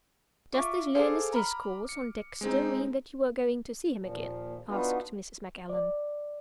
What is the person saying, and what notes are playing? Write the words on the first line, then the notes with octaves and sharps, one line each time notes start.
"Does this learned discourse on Dexter mean that you are going to see him again?" asked Mrs. Macallan.
F4 E5 C#6 D6
G#4 A4 C5 F5 C6 D6
A#5 B5 F6
C#7
G#3 C4 D#4
D#2 A#2 F3
B3 D4 D#4 F4 F#4 B4
D5